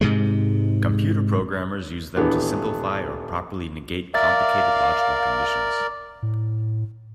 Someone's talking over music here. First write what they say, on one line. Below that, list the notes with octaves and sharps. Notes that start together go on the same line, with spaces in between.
Computer programmers use them to simplify or properly negate complicated logical conditions.
G#2 C3 G#3
D#1 E3 B3 D4
A#4 D5 E5 F5 A6
A2